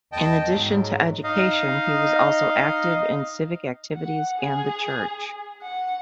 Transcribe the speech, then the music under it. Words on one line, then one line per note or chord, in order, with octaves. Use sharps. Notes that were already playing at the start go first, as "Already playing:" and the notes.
In addition to education, he was also active in civic activities and the church.
E2 D#5 G5 A5
G#2 F#3 G#3
D#4 D#5 F5
F#5
G#4
F#5